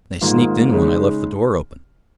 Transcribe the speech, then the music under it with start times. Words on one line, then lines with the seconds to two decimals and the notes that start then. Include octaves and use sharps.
They sneaked in when I left the door open.
0.21 G#2 D#3 A#3 F4
0.72 C#3 G#3 D#4